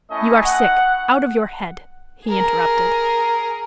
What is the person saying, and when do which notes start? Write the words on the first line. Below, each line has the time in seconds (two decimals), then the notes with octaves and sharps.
"You are sick--out of your head," he interrupted.
0.10 A3 C#4 E4 D#5
0.44 F#5
2.26 G#4 A#4